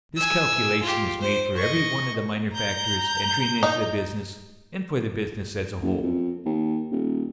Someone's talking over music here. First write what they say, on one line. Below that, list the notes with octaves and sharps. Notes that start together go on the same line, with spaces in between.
This calculation is made for every one of the minor factors entering into the business, and for the business as a whole.
G#5 E6
F4 G4
C5
D#5 C#6
A#5 G6
D#4
F#1
F2
D#2
D#1